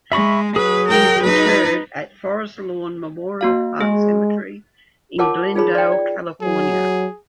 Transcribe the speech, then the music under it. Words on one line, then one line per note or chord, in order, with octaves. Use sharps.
He is interred at Forest Lawn Memorial Park Cemetery in Glendale, California.
G#3 E5 B5 C#6
F#3 G#4 B4
A#4 G5
D#4 B4
A#3 F#4 F5
G#3 G#4
F4 A#4 C#5 F#5 A5 D6
D#4 F4 G#4 C#5 B5
D5 G5
D5
F#3 G#4